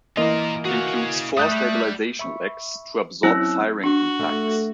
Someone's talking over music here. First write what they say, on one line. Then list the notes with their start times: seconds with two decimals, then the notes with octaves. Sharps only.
It includes four stabilization legs to absorb firing impacts.
0.17 E3 A#3 F4 A#4 D#5
0.65 F#4 G#4 F5
1.37 G3 A3 D#6 F#6 G6
1.52 G3
2.19 E5 B5 C#6
3.23 F#3 C4 C#4 E4 E6 F#6
3.84 D4 F#4
4.19 A3